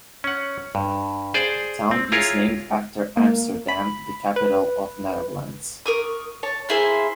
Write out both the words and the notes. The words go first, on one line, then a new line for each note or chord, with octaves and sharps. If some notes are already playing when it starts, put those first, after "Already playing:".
The town is named after Amsterdam, the capital of the Netherlands.
C#4 F#5
G2
G#4 C5 D5
C4
E4 F4 G#4 A#4 C#5
A#3
B5
B4
A#4 C#6 D#6
C#5 A5
A#3 E4 G#4 C5